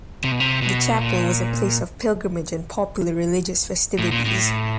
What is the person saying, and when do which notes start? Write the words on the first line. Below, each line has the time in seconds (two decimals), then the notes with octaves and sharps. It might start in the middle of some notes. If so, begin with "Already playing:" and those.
The chapel was a place of pilgrimage and popular religious festivities.
0.24 C3
0.31 B2
0.40 C3
0.62 B2
0.99 A#2
3.99 A2
4.12 A#2
4.25 A2